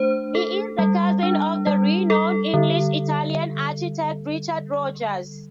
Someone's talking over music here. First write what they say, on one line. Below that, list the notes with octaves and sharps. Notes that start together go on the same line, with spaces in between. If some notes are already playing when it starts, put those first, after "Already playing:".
He is the cousin of the renowned English-Italian architect Richard Rogers.
Already playing: A3 D4 C5
A4
G3
D4
G3
A4
D3